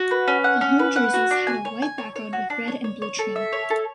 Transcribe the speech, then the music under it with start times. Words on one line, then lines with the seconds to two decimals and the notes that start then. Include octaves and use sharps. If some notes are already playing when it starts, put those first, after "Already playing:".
The home jerseys had a white background with red and blue trim.
Already playing: F#4
0.11 B4
0.28 C#4
0.44 F#5
0.61 C#4
0.79 B4
0.96 F#5
1.14 F#4
1.31 D4
1.47 G#5
1.65 C#5
1.82 G#5
1.98 C#5
2.16 C#5
2.33 F#4
2.50 D4
2.68 C#5
2.84 C#5
3.02 C#5
3.19 A4
3.36 E5
3.53 C#5
3.70 A4